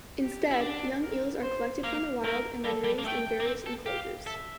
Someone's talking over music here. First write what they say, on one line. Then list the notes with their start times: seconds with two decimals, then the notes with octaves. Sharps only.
Instead, young eels are collected from the wild and then raised in various enclosures.
0.21 G4
0.51 E4
0.61 D4
1.02 A#4
1.43 C5
1.83 A#3 F5
2.24 A3 A#4
2.64 G3 A4
2.84 G3
2.99 A#3
3.05 A3 G5
3.40 A#3
3.45 C4
3.66 A4
3.86 G4 F5
4.27 A4 E5